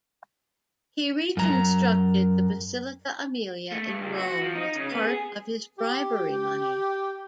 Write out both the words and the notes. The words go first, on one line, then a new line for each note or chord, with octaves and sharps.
He reconstructed the Basilica Aemilia in Rome, with part of his bribery money.
F#2 A#5
A3
G2
C#2
F#4
F#4
F3
D#4
C#3
B3
G#4
G4